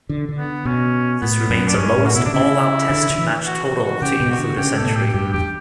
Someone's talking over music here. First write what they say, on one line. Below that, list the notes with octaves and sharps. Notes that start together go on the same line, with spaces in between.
This remains the lowest all-out Test match total to include a century.
D3
D3
B3
B2 C#4
A2 B3
F#2
D4
G2 C#4
A2
F#4
B2 E4
D3 D4
C#3 E4
D3
D3
E3
F#4
F#4
F#4
C#3 G4
B2
F#4
D3
C#3 G4
B2 A4
A2
G4
G2 G4
E2 G4